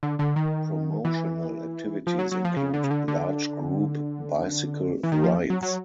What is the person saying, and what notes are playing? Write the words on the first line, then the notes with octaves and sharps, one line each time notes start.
Promotional activities include large group bicycle rides.
D3
D3
D#3
E3
F3
F#3
F#3
F3
C#3
D3
C#3
D3
D3
E3
D#3
F3
F#3
F#3